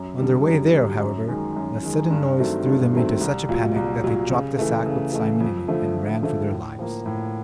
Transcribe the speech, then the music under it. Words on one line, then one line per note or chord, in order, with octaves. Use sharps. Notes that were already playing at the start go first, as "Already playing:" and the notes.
On their way there, however, a sudden noise threw them into such a panic that they dropped the sack with Simon in it and ran for their lives.
Already playing: F#2
D3 G3
F#2
D3 G3
F#2
D#3 G#3
F#2
D#3 G#3
G2
D#3 F#3 A3 C4
G2
D#3 F#3 A3 C4
C2
A#2 F#3
C2
A#2 F#3
C#3
E3 A3
C#3
E3 A3
F2
D3 F3 A3
F2
D3 F3 A3
A2
F3 A#3
A2